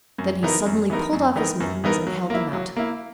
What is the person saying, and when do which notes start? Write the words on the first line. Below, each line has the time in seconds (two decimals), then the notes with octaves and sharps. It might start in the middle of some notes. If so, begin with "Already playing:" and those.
Then he suddenly pulled off his mittens and held them out.
0.18 F#2
0.43 E3 B3 D#4 A#4
0.66 F#2
0.90 E3 B3 D#4 A#4
1.13 F#2
1.36 E3 B3 D#4 A#4
1.60 F#2
1.84 E3 B3 D#4 A#4
2.07 F#3
2.30 A#3 E4
2.53 F#3
2.77 A#3 E4